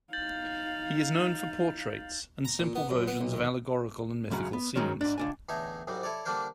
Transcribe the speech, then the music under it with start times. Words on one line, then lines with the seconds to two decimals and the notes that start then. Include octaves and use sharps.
He is known for portraits and simple versions of allegorical and mythical scenes.
0.13 D#4 F5 G6 A6 F#7
2.45 A#5
2.59 A#2
2.75 B3
2.90 F#2
3.07 B3
3.21 B1
3.33 D#2
4.30 C#2 F#2 C#3 F#3
4.53 B3
4.75 G#2 D#3 F#3 G#3 C#4
5.01 G#2 D4
5.18 C#2 D4 G#5
5.49 E2 A2 D3 D#4 C#5 E5
5.87 C2 G#2 F#3 G3
6.03 E4 A4 C#5 D5
6.25 D3 G3 A#3 D4 A#4 C5